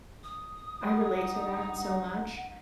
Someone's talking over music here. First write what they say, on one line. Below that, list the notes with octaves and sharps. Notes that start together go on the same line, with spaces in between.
I relate to that so much,
D#6
G2 G3 D#4 F#5